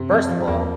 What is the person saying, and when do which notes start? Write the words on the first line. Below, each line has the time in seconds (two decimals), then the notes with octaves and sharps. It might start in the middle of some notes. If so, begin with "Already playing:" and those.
first of all
Already playing: F#2 C3
0.10 F2
0.29 F3
0.48 E2 A#3